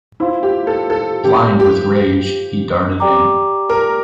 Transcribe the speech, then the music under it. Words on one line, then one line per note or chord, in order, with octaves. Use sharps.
Blind with rage, he darted in.
E4 F4 C5 F5 C6
G4
A4
A4
G4
G4
G4 D5 G5 A#5 D6
A#4